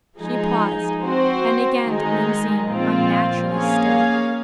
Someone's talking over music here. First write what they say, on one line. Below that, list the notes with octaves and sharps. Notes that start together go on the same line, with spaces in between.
She paused, and again the room seemed unnaturally still.
F3 G#3 D#4 G#4
C4 F#4 C5
D#3 G#3 D#4 G#4
A#2 F3 C4 F4
A#3 C#4 G#4 C#5 F5